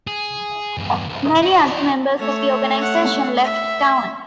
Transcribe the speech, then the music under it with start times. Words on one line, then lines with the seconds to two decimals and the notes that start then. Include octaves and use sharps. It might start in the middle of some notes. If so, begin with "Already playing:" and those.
Many other members of the organization left town.
0.07 G#4
0.78 E2 G2
1.08 C2 G2
1.42 D#4 C#5
2.19 A3 C#5
2.82 F#5
3.44 E5